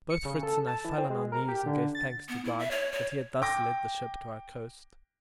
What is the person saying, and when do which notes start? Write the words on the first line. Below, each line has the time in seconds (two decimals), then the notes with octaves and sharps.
Both Fritz and I fell on our knees and gave thanks to God that He had thus led the ship to our coast.
0.10 C#7
0.25 C#3
0.43 A4
0.67 A5
0.85 E3
0.98 C4
1.10 G#3
1.32 A#4
1.48 G4
1.66 D3
1.95 A6
2.29 B3
2.45 E4
2.59 E5
2.71 C#5
2.92 C#5
3.42 G5 D6 A#6